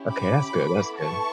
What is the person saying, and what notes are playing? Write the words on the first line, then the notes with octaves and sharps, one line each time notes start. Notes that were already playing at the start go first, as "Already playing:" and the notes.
Okay. That's good, that's good.
Already playing: C#4 E4 G4
B5 D6
B3 E4 A4
A5 C#6